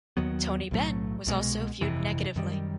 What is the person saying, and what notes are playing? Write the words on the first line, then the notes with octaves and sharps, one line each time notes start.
Tony Benn was also viewed negatively.
D#2 D#3 F#3 B3
B1 A2 F#3 A3
C2 B2 G#3
G1 F2 C3 E3
F#2 D#3 G3